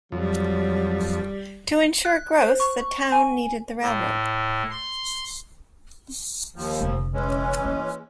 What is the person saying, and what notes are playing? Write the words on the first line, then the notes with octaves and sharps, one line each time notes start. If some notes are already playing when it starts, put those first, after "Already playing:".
To ensure growth the town needed the railroad.
F2 F#3 G3
F#6
C5
C#6
G#5
A2
C6
D#2 F3
F1 D3
E3 G#3 C#4
A#3